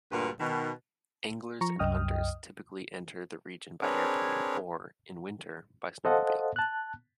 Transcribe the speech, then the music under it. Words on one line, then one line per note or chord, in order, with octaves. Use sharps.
Anglers and hunters typically enter the region by airplane or, in winter, by snowmobile.
D2 G2 A#2 F#4 B4
B2 D#3
F3 A#5 C#6
C2 F#2 D#5 G5 D#6 F6
C4 D4 G#4 A#4 B4 C#5
A4 C5 D#5 F5 F#5 A5
A5 F#6